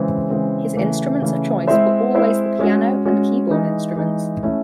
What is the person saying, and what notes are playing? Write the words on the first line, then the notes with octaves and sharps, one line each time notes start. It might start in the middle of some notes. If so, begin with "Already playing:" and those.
His instruments of choice were always the piano and keyboard instruments.
Already playing: C#3 E3 G#3 C4
C#3 E3 G#3 C4
C#3 E3 A3
C#3 E3 A3
G#3 C4 E4 C5 E5
G#3 C4 E4 C5 E5
G#3 C#4 F#4
G#3 C#4 F#4
E3 G#3 D#4
E3 G#3 D#4
A3 C#4 E4